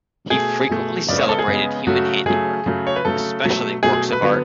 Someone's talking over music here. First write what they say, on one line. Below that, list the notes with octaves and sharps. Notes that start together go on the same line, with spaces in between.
He frequently celebrated human handiwork, especially works of art.
B2 A3 G#4
B2 A3
C#3 G#3 B3 D5
C#5
A4
G#4
C#3 G#3 B3
C#3 F#3 A3 F#4
C#3 F#3 A3 G#4
C#3 F#3 A3
C#5
B4
C#3 F#3 A3 A4
B2 F#3 A3
B2 F#3 A3 G#4
G#4
B4
D3 F#3 B3